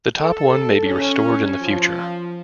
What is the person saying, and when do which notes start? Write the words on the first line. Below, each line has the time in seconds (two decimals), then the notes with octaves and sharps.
The top one may be restored in the future.
0.20 A4
0.86 C#4
1.61 F3